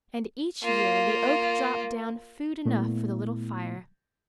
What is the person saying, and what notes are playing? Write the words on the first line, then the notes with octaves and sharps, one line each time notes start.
And each year the oak dropped down food enough for the little fire.
A#3 F4
A#2 A3 B3 E4